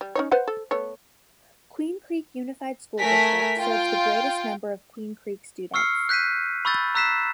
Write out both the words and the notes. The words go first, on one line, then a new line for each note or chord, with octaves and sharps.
Queen Creek Unified School District serves the greatest number of Queen Creek students.
G3
C#4 D#4 C#5
B4 C5 F#5
A4
A3 B3 C#5
A3 A#4 G#5 B6
F4 G5
C#6 E6 F6 C7 C#7
F#6 G6 B6 C7 D#7
B5 C#6 E6 G6 A6
A#5 E6 F#6 B6 C7 E7